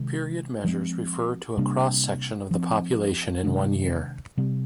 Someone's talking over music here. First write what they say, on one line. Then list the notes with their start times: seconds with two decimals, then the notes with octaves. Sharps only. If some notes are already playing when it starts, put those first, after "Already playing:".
"Period" measures refer to a cross-section of the population in one year.
Already playing: C3 D#3 G#3
0.64 F3 G#3 C4
1.57 C3 G3 A#3 D4
2.51 F3 C4
3.44 C3 D#3 G#3 D4
4.37 C3 G3 C4